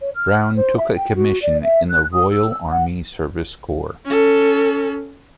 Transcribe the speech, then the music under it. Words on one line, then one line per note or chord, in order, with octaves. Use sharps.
Brown took a commission in the Royal Army Service Corps.
C#5
F6
C5
E5
G5
F#4
D5
E5
F#6
D#6
E6
F#5
C#4 A4